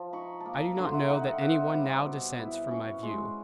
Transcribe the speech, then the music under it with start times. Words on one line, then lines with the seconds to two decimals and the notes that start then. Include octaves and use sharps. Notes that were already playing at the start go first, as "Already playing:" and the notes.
I do not know that any one now dissents from my view.
Already playing: F3
0.13 D#4 B5 C#6
0.40 A5
0.46 A#3
0.53 A#5
0.66 B5
0.77 D3 A#5 C6
0.93 E5 F#5
1.10 D#4 E5 F#5
1.26 F5 G5
1.41 C4 E5 F#5
1.74 G3
2.06 B2
2.39 E4
2.71 C#4
3.03 G#3